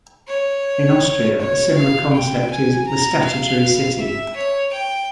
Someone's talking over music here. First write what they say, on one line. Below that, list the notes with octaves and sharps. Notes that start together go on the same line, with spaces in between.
In Austria, a similar concept is the "statutory city".
C#5
C#5
F5
G5
G#5
A#5
F5
E5
C#5
G5